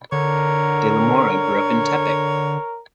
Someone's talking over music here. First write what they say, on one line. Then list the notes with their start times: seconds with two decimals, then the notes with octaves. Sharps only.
De la Mora grew up in Tepic.
0.12 D3 A#4 C#5